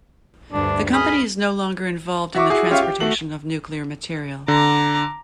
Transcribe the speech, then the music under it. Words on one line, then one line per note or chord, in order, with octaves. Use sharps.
The company is no longer involved in the transportation of nuclear material.
D2 G2 D4
G#4 D#5 B5 F6
F#4 E5 C#6 D6
E4 F#4 G#4
C#4 F4 G4 C#5 E5 F5
G4
A3 F#4 F#7
D3 A#5 D6